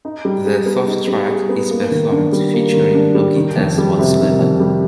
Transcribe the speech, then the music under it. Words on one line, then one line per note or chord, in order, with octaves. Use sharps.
The fourth track is performed featuring no guitars whatsoever.
D#4
G3
G#4
B3
D#4
G3
G#4
B3
A#3
D#3
D4
G3
A#3
D#3
D4
G3
D#3
F2
G3
C3
D#3
F2
G3